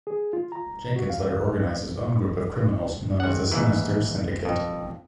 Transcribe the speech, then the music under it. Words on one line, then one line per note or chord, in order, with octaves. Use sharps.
Jenkins later organized his own group of criminals known as the Sinister Syndicate.
G#4
F4
A#5
F#4
F5
G#1 F#5
D#2 G#2 E3
F2